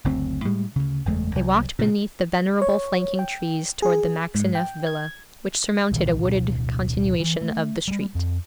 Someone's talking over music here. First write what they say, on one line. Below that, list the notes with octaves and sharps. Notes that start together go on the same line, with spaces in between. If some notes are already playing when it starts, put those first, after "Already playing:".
They walked beneath the venerable flanking trees toward the Maxineff villa, which surmounted a wooded continuation of the street.
F#1 D2 C4
A2 G3 G#3
D2 C#3
F#1 E2 G#3 A3
C2 F#3
A#2 C#3
C#5
G5
G#4
G#2
G5
G#6
B1 A#2 D#3 E3
D1 B2
E3
A3
G3 G#3
F2